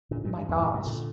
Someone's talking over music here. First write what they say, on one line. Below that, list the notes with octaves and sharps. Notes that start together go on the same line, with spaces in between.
my gosh,
A#2 D3
G2 A#2
G2
F2 G#2
G2 A#2
G#2 C3
A#2 D3